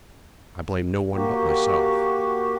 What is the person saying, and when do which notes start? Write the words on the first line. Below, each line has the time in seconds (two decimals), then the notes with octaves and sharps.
I blame no one but myself.
1.14 A#3 F#4 G4